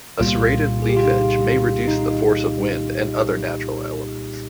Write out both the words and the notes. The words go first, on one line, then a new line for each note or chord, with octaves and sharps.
A serrated leaf edge may reduce the force of wind and other natural elements.
C2 A#2 G3 A#3 F4
G#4
G4
F4
D#4
D#4